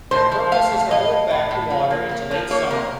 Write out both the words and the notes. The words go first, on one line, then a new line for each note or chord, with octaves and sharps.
Their purpose is to hold back the water into late summer.
A2 C5
F3
A3 F5
A3
F5
A2 D#5
A2
A2
A2
F3
A#3
A#3
F3
A#3 C#5
C3 A#4